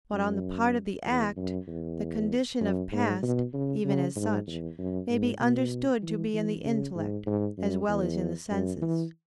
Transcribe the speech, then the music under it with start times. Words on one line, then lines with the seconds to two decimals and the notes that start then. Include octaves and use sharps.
But on the part of the act, the condition of past, even as such, may be understood to be in the intellect, as well as in the senses.
0.12 F#2
1.06 E2
1.36 F#2
1.67 E2
2.61 F#2
2.92 G#2
3.22 B2
3.53 C#3
3.85 C#3
4.16 G#2
4.47 E2
4.78 F#2
5.09 G#2
5.40 B2
6.02 E3
6.33 E3
6.65 C#3
6.95 G#2
7.26 G#2
7.58 F#2
7.88 E2
8.50 F#2
8.81 E3